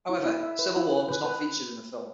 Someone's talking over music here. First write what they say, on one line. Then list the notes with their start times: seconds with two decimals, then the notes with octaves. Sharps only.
However, "Civil War" was not featured in the film.
0.09 E4
0.26 E4
0.43 E5
0.59 B4
0.76 E4
0.92 B4
1.09 B4
1.25 B4